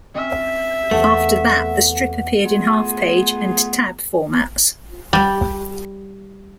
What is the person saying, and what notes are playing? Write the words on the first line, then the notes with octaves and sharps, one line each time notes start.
After that, the strip appeared in half page and tab formats.
C4 C#4 E5 F6
E2 A3 F#5
A3 B3 F4 G#4
G3